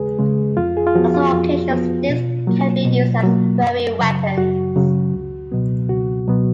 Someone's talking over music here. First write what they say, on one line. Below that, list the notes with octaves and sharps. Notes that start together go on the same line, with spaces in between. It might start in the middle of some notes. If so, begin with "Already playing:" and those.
On some occasions, sticks can be used as throwing weapons.
Already playing: D#2 C#3 G#3 G#4 B4
C#3 G#3
F2 F4
G#4
F4
F3 B3 F#4
F4
F2 F4
F3 B3
B2
F#3 A#3
B2
F#3 A#3
F#2
C#3 F#3
F#2 F#4
C#3 F#3
C#2
B2 F#3 B3
C#2 F#4
B2 F#3 B3